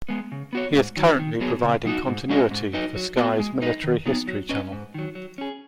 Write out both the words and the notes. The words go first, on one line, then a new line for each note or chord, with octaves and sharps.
He is currently providing continuity for Sky's Military History Channel.
G#3 B3
C#3
B3 F#4 C#5
G#2
D#3 F#3
D#3
F#3 B3 G#4
C#3
F#3 D#4 F#4
G#2
G#3 C#4 F#4 D#5
G#2
F#3 D#4 B4 D#5
F#3
B3 F#4 D#5
G#3
D#4 B4 D#5
D#3
F#3 B3 D#4
F#3
C#4 B4 D#5
G#2
D#3 F#3
F#3
C#4 G#4